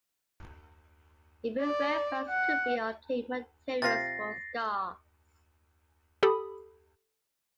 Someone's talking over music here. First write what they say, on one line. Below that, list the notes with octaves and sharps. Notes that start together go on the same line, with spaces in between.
Even where funds could be obtained materials were scarce.
D5
F#5
C3 F4 A6 A#6 C7
G4 A4 B5 D#6